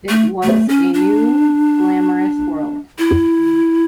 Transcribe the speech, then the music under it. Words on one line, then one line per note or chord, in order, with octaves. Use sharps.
It was a new, glamorous world.
A3
A3
C#4
D4
E4